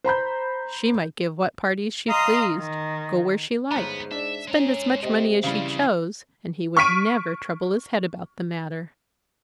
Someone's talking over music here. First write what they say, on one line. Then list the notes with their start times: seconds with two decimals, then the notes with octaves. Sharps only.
She might give what parties she pleased, go where she liked, spend as much money as she chose, and he would never, trouble his head about the matter.
0.04 C5 A#5 B5 G6
2.07 D#5 F5 A#5 C6 D#6
2.55 D#3
3.71 G1 G#2 B3 A#5
4.11 D4 E5
4.48 G#3 C#4 A#5
5.03 C3 D#5
5.44 F2 C#3 E3 G3 F5
6.77 C#6 F6 B6 D7 D#7